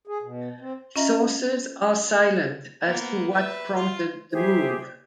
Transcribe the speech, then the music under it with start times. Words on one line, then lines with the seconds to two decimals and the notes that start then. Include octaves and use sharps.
Sources are silent as to what prompted the move.
0.07 G#4
0.22 B2
0.60 C4
0.96 C#4 F4 D#5 E5 A#5 A#6
2.82 A#3 B3
3.33 B4 E5
3.76 F4
4.32 G4 G#4 C5 E5